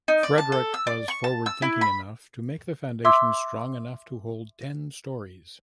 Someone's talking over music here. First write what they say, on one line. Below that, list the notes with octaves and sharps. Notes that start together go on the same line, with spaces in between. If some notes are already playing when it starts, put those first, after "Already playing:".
Frederick was forward-thinking enough to make the foundation strong enough to hold ten stories.
D#4
D5
A5
A4
E6
D5
C#6
A5
E6
E4
B5
E5 C6 D6 E6 G#6